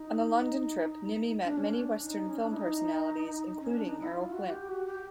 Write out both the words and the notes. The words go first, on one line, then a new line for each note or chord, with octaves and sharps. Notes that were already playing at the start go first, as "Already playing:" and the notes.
On the London trip, Nimmi met many western film personalities including Errol Flynn.
Already playing: D#4
D4
C#4
D4
D#4
C#4
D4
E4
D#4
C#4
D4
D#4
E4
F4
F#4
G4
F#4
G4